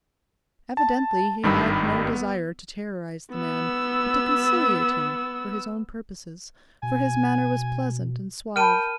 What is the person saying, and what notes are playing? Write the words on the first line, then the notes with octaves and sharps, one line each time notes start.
Evidently he had no desire to terrorize the man, but to conciliate him, for his own purposes, for his manner was pleasant and suave.
A5
G#1 G2 D#3 G3 B5 E6
B3
B3 E6
B2 G#5
A#4 G5 A5 B5 F6 D#7